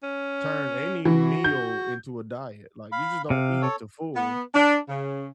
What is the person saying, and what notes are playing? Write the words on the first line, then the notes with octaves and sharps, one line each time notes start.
turn any meal into a diet, like, you just don't eat to full.
C#4
E3 F#4
G6
F5 B5
C3 F5
A4 C#5
B3
D4
C#3